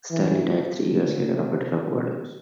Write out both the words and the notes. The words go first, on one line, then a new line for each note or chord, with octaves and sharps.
Staley died three years later of a drug overdose.
E3
D3
C3
B2